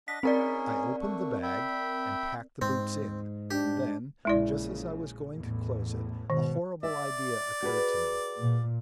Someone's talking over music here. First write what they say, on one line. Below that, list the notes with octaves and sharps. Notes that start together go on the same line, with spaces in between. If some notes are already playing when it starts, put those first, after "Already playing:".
I opened the bag and packed the boots in; and then, just as I was going to close it, a horrible idea occurred to me.
D4 D#5 F#5 B6
C4 C#4 D#4 G#4 A#4 D5
A3 D4 C#6
E5 G5 B5
G#2 C4
D4 G4
A#1 A#2 C#3 G#3 E4 D5
A1 E2 A2
G#2 B2 D#3
D5 E5
F#4 G#4 B4
A#2